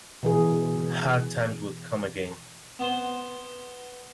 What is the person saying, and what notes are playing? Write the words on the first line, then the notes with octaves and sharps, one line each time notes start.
Hard times would come again.
B2 E3 G#4
B3 C5